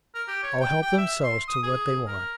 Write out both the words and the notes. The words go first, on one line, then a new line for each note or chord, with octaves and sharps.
All help themselves to what they want.
A#4
G4
C#5
G5
G5
E5
C6
D#6
G#4
A#4